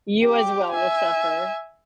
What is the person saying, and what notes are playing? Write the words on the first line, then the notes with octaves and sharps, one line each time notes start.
You as well will suffer.
G4 G5
E5 G#5